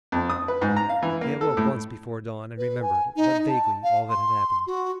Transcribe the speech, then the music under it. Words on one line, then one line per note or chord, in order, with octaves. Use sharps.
He awoke once before dawn and remembered, but vaguely, all that had happened.
F2
D#6
B4
G#2
A#5
F5
E3
A#3
A4
A2
B4
G#5
D#4
A5
F5
C6
F#4